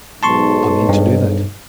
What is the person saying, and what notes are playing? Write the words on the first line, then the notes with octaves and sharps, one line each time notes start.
'I mean to do that.
B1 G#2 A5 C6 C#6
G2